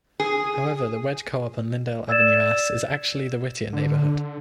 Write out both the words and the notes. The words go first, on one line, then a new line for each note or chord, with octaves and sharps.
However the Wedge Co-op on Lyndale Avenue S is actually in the Whittier neighborhood.
G#4
D5 E6 G#6 A6 E7
D3